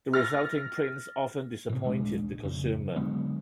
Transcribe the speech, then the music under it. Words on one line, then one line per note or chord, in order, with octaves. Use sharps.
The resulting prints often disappointed the consumer.
F6 A6 A#6
A2 C3
D#1 A#1 G#3 D4
F2 C#3
D3 F#3 G#3 B3